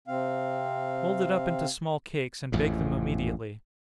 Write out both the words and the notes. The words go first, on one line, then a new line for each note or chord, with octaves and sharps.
Mould it up into small cakes, and bake them immediately.
C3 C4 F5
A1 F2 G#2